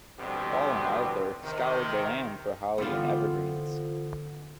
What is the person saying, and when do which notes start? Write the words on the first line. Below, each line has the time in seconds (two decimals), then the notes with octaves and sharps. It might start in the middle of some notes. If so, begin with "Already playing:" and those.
Paul and Arthur scoured the land for holly and evergreens.
0.18 A1 G2 B2 D3 C4 G4
1.43 C3 D#3
2.78 D3 E3 F3 B3 C4 F4 D5